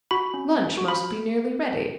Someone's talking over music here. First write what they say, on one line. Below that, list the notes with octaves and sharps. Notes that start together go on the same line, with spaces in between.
Lunch must be nearly ready.
F#4 B5
C#4
C#4
F#4
B5